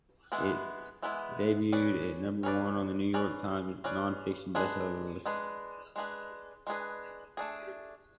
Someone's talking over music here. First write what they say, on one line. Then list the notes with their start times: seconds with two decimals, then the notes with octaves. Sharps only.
It debuted at number one on the "New York Times" nonfiction bestseller list.
0.32 E3 G#3 B3 E4
1.02 E3 G#3 B3 E4
1.73 C#4 G#4 B4 D5
2.43 C#4 G#4 B4 D5
3.14 C#4 G#4 B4 D5
3.84 C#4 G#4 B4 D5
4.55 G#3 D4 G#4 B4
5.26 G#3 D4 G#4 B4
5.96 G#3 D4 G#4 B4
6.67 G#3 D4 G#4 B4
7.37 A3 D4 G#4